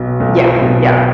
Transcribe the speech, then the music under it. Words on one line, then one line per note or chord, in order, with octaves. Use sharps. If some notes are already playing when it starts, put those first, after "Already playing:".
Yeah, yeah.
Already playing: B1 B2
B1
B2